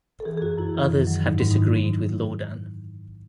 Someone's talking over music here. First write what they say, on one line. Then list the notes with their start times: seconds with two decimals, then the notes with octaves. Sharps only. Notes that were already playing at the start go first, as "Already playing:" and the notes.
Others have disagreed with Laudan.
0.20 A4
0.25 E3 G#4
0.38 G#4
0.41 F#2 F#4
0.58 F#2 E4
0.75 E3
0.91 D#3
1.07 F#3
1.24 G#2 D#4
1.35 E4
1.40 G#2
1.51 D#4
1.56 D#3 E4
1.73 F#3